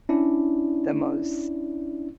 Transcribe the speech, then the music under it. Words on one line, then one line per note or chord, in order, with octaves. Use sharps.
the most
C#4 D4 E4 D5